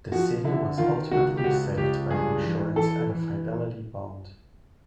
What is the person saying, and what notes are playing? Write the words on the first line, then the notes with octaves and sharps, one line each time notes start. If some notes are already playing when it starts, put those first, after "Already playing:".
The city was ultimately saved by insurance and a fidelity bond.
F3 F#4
D3 E4
D#3 F4
C#2 F#4
G4
C#2 F#4
C#2 G4
G2 G#4
E3
E3 A4
E3